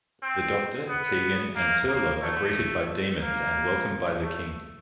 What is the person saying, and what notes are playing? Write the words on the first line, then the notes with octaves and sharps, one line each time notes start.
The Doctor, Tegan, and Turlough are greeted as demons and welcomed by the King.
C4
B3
A#3
A#3
A3
A#3
A3